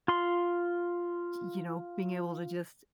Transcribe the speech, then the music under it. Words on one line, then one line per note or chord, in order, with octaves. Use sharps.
y you know, being able to just
F4 C6